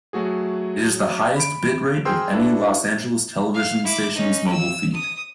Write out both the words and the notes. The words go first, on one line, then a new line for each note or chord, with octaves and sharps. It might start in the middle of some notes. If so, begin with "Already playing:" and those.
It is the highest bitrate of any Los Angeles television station's mobile feed.
F#3 A3 F#4 G#4
B5 D7
G#4 A#4 C5 G5 C6 E6
D4 E4 F#4 A4 B4
F5
E4 D6
C#4 D#4
E6
D#6